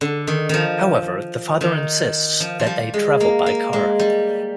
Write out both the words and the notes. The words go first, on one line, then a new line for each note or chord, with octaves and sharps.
However, the father insists that they travel by car.
D3
D#3
D#3 F3
D#3
F3
F3
G3
G#3
A#3
A#3
G#3
G3